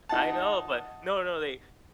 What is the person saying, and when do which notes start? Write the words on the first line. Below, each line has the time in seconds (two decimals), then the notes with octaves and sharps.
I know, but no, no, they
0.09 D#4 F#5 A5